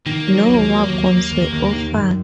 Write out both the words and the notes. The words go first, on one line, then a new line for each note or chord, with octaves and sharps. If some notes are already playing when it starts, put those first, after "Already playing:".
No wagons were offered.
D#3 A#3
F#3
D#2
F#3
D#2
D#2
D#2
D#2
D#3
F#2